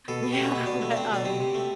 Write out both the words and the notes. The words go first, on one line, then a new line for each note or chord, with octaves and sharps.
yeah, but, um
B2 A4
B2
A3 G4
F#4
B2 E4
B2 D4
A3
D4
A3 C4
B2 D4
C3 C4
C3
A3